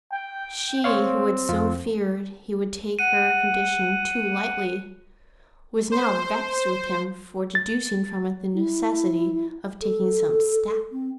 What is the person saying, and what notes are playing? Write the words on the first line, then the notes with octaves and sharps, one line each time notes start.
She who had so feared he would take her condition too lightly was now vexed with him for deducing from it the necessity of taking some step.
G5
C4 C5 C#5 F5
F2 F4
F#5 D#7
C5
A6
E4
A4
C4